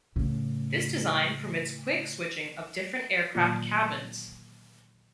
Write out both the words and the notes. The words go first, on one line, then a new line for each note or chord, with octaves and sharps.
This design permits quick switching of different aircraft cabins.
A2 C#3
A#2 D3 D#3 F#3 A#3 F4